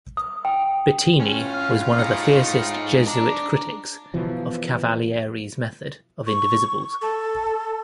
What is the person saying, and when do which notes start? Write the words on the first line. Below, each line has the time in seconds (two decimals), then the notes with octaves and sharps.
Bettini was one of the fiercest Jesuit critics of Cavalieri's method of Indivisibles.
0.17 D#6
0.45 G5
1.20 A2 C#4 F4
1.54 F6
1.99 D#4 G#4 C#7
3.07 D4 A#5
4.14 B2 E3 F3
6.27 C#6
7.02 A4